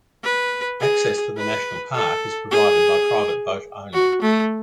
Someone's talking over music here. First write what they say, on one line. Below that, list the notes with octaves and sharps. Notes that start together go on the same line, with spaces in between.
Access to the national park is provided by private boat only.
B4
G#4
B4
A4
G#4
F#4
A3